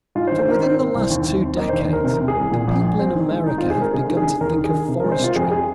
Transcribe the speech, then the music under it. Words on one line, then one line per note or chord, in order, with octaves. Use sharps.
So, within the last two decades, the people in America have begun to think of forestry.
G#2 F4
C5
D#3
C5
D#3 A#4
C4 C5
C4
C2
D#2
D#2
C4
A#3 D#5
C5
D#2
C5
D#2 A#4
C3 A#4
C3
G#4
C2
A#2
A#1
A#1
C4
D#3
G#3
D#3 D#4
F4
C4
G#4
G#3 A#4
C3 G#4
D#3
G#4
D#3
D#2 A#4
D#3
G#4
D#3
C3
A#4
G#3
C5
C3 F4
F2 G#4
G#4